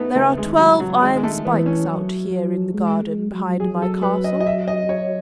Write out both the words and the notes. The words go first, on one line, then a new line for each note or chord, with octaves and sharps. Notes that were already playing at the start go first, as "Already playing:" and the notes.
There are twelve iron spikes out here in the garden behind my castle.
Already playing: A3 B3 D#4
C#3 A3
G#3
D#3
F#3
C#3
F#3
D#3 G#3
G#3
A3
E3 B3
C#4
F#3
F#3
G#3
G#3
F#3
G#4
A4
B4
D#5
D#5
E5
D#5
C#5